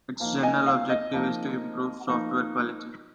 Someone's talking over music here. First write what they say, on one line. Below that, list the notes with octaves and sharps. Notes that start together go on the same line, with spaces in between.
Its general objective is to improve software quality.
F3 A#3 D#4
D#5 G#5
F5
D#5
F3 A#3 D#4
F3 A#3 D#4